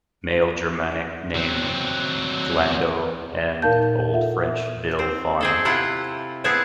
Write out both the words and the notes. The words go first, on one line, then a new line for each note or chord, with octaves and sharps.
Male Germanic name "Glando" and old French "ville" "farm".
F#3 C4
A#2 D#4 A#4 F5 A5 G6
F4 A4 E5 F#5
C4
C4 G#4 A4
C3 E4 F4 G4 F#5
B3 C4 E4 G#4 G#5 A5